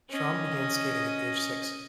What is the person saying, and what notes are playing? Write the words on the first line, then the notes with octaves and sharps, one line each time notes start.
Schramm began skating at age six.
C#4 D#5